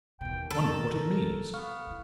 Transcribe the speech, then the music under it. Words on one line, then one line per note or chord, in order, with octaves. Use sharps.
Wonder what it means!
D#2 B2 G5
C3 A4 A#4
B3 F5 C#6 F6
D#4 E4